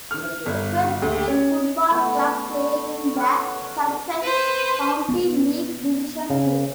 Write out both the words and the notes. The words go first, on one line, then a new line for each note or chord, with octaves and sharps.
Westfield Football Club play in the Sussex County League Division Two.
F6
G1
D2
C#4
A3 B3
C#4 F#5
B4 C5
B3
C#3